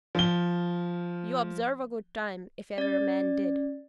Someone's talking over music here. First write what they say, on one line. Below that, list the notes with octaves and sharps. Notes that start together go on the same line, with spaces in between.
You observe a good time if ever a man did.'
F3 G7
C#4 D5 A6